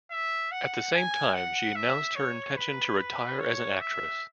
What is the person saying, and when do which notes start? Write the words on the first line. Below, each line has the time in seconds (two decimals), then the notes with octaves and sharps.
At the same time she announced her intention to retire as an actress.
0.11 E5
0.51 F#5
0.93 G#5
1.34 F#5
1.75 E5
2.16 C#5
2.57 B4
2.98 B4
3.40 C#5
3.80 E5